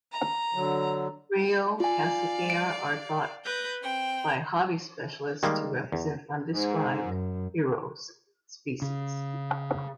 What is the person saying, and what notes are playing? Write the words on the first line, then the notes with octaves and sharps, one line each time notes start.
"Rio Casiquiare" are thought by hobby specialists to represent undescribed "Heros" species.
A#5
D3 F#3
F4 D5 F5 G#5
D7
B4 G6 A#6
C4 G5
D#3 G3 G#3 A#3
E2
G#2
F#2
C#3